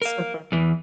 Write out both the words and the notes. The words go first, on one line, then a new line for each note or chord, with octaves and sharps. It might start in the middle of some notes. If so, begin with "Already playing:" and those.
So far.
A#4 F5
E2 E3